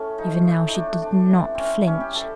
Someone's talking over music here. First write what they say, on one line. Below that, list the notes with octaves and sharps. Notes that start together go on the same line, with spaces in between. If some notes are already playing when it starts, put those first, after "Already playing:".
Even now she did not flinch.
Already playing: A2 A3 C#4
F3 D#4
A2
D#4
A3 D4
C3 D4
E3 D4
C3 C4 C#4
G3 C#4
G4
C3 A4